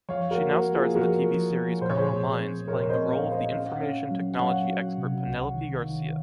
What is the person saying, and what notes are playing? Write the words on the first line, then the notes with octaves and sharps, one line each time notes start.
She now stars in the tv series “Criminal Minds” playing the role of the information technology expert Penelope Garcia.
F3 C#5 F5
F#4 A#4
A#3
F#4
A#3
F4 G#4
F3 F#4 A#4
F3
F3
A#2 C5
C#5
G#4 C5
A#2
C4
A#2 A#4 C#5
C#5
C5 D#5
C4
C#5 F5
A#2 F5
C5 D#5
C#4 F5
F#5
C#4 C#5 F5
F#3
F#5
F#3 C#5 F5
F#4
C3
C2
D#3
D#3